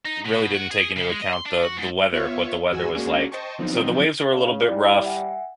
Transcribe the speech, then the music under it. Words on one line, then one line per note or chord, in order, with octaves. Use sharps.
really didn't take into account the the weather, what the weather was like, so, the waves were a little bit rough
D#4
B2
F#4
G#4
C#3
G#3
D#5
C6
D4
F#4
G#2
B3 F4 C#5 E5 F5 C#6
G#1 F2 F#4 G#5 E6
G#3 A#3 C#4 D4 F#4 G#4
C5 D#5 G5 A5 C#6
D3 F3 F#3 B3 C4 D#4
C#3 F5
G3 E4 D5
E5 F#5 G#5